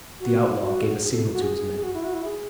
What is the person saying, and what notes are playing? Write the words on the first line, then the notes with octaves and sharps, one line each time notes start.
The outlaw gave a signal to his men.
F#4
F#4
G#4
A4
F#4
G#4
G#4
F#4
E4
F#4
E4
G#4